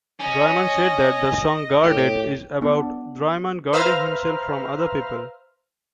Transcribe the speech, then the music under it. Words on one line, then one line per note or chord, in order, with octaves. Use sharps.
Draiman said that the song "Guarded" is about Draiman guarding himself from other people.
C#4 D#5
A2 G4
B3 D4
B4 C5 E5 F5 A#5 F6